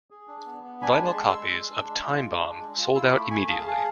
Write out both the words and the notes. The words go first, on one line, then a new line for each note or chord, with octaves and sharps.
Vinyl copies of "Time Bomb" sold out immediately.
G#4
D4
B3
B3
D4 G#5 B5
G#3
A5 C6
G#3
C6 E6
G#3
G#3
D4
G#3
F4
G#3
D4
G#3
F4
E4 C6 E6
A3 B5 D6
A3 G#5 B5
G#4 F5 A5
G#4 F5 A5